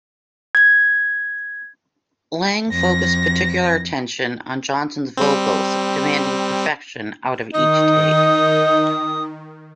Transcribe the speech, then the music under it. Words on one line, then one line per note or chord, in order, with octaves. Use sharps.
Lange focused particular attention on Johnson's vocals, demanding perfection out of each take.
G#6
F2 A#6
G3 C4
D#3 D#4 D#6